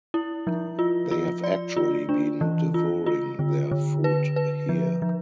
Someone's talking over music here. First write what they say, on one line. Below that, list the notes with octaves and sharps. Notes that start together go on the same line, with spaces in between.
They have actually been devouring their food here.
E4
F3
F4
F4
D5
F4
D4
E3
F4
F4
D3
D3
B4
B4
F3
F3